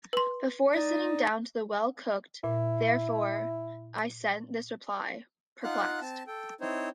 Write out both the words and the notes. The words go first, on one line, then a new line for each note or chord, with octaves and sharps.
Before sitting down to the well-cooked, therefore, I sent this reply: Perplexed.
B4 C6
D#4 D5
A#2 E4
D#4 F4 F5 F#5 F#6
C4 A5
A4 G5
C4 D#4 E4 C5 C#5